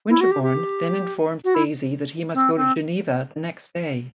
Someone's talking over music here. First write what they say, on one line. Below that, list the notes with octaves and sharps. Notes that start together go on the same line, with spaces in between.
Winterbourne then informs Daisy that he must go to Geneva the next day.
E4
F#4
G4
G4
F#4
E4
C4
C4